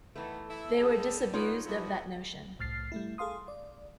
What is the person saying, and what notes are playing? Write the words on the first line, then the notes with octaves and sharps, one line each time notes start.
They were disabused of that notion.
D#3 E3 A3 B3 A4
E4 A4
A2 D3 G3 G#4
B3 D#4 F4 B4 C#5
F3 G3 B3 E4 F#4
C2 A2 F6 A6 C7
G3 A3 E4
G#4 A4 F5 C6 D#6
D5